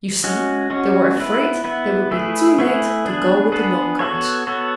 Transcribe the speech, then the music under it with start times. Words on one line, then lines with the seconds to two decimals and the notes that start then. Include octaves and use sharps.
You see, they were afraid they would be too late to go with the milk cart.
0.24 G#3 C#4 F#4
0.70 G#3 C#4 F#4
1.17 B3 E4 B4
1.64 B3 E4 B4
2.11 A3 E4 G#4 B4
2.58 A3 E4 G#4 B4
3.05 B3 D4 G#4 B4
3.52 B3 D4 G#4 B4
3.99 B3 F#4 A4 C#5
4.47 B3 F#4 A4 C#5